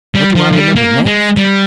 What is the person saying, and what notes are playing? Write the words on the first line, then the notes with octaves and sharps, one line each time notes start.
What do I remember next?
G3
F3
F3
G3
A#3
G#3
G3